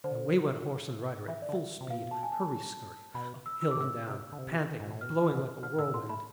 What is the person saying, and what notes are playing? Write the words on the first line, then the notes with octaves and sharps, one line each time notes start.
And away went horse and rider at full speed,--hurry-scurry,--up hill and down,--panting and blowing like a whirlwind.
D3 C5
E3 E5
D5
D3
E5
C3
B2 F5
A5
G#5
A5
B2 B5
E6
E6
D6
A2 E6
C3
D3
C3
G#2
A2
B2 F6
B2
D3 F6
A2 E6
B2 C6
A3 B5